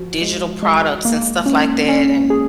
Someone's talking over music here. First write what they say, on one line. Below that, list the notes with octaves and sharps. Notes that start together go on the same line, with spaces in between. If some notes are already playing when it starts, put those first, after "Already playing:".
digital products and stuff like that, and
Already playing: F3 F#4
G#3
G#3
A#3
C#4
C#4
G#4